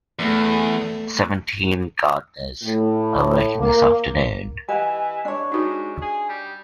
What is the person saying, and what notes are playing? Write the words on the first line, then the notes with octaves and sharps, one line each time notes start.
Seventeen gardeners are working this afternoon.
E2 A3
A2
A#3
E3 G4 D#5 F#5 G#5
D4 C#5
G#2 D#4 F#4
G#4
G3